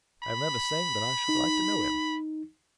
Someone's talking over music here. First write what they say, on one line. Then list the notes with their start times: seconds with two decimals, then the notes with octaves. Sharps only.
I remember saying that I should like to know him.
0.23 B5
1.29 D#4